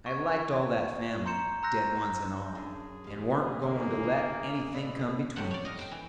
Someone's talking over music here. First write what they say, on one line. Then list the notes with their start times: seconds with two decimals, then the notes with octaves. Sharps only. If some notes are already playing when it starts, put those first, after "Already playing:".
I liked all that family, dead ones and all, and warn't going to let anything come between us.
0.06 C#6 G#6
1.26 A#5 C6 G6 C#7 E7
1.63 A#5 C6 E6 F#6 G6 A#6
2.55 F#2 D4 G#4
3.04 E2 G4 F5
3.62 D3 A#3
4.03 G3
4.72 A2 E4 B4 D5 D#5
5.36 A2 C3 G3 C5 F#5
5.51 C#5 D5
5.65 D#5 F5
5.79 C5 G5
5.92 E3